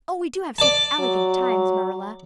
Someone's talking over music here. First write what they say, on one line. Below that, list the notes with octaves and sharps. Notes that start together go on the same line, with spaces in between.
Oh, we do have such elegant times, Marilla.
D5 A5
F#3